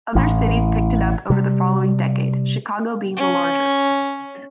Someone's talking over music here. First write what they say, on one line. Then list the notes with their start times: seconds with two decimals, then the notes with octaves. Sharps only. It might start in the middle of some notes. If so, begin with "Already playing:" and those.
Other cities picked it up over the following decade, Chicago being the largest.
0.15 A1 A2
1.30 C3 G3
3.17 C#4